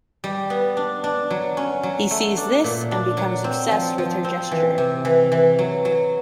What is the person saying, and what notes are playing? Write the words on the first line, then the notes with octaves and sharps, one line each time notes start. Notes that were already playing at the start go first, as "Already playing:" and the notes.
He sees this and becomes obsessed with her gesture.
G3
B3
D4
D4
F#3
C#4
F#3
A3
D4
A#2
D4
F#3
C4
F3
F3
C4
E3
C3
E3
E3
F#3
F#3